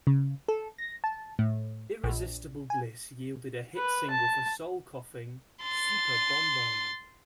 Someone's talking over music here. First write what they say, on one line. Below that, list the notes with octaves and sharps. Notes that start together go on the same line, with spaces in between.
"Irresistible Bliss" yielded a hit single for Soul Coughing, "Super Bon Bon".
C#3
A4
A#6
A5
A2
A#1
G#5
B4
A5
C6 A6